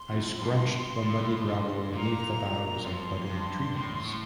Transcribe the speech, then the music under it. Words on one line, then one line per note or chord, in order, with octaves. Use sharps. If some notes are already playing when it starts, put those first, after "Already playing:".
I scrunched the muddy gravel beneath the boughs of budding trees.
Already playing: C6
F2
G2
A2
G2
A#2 A#5 C6
F2 C6
G2
A2
A2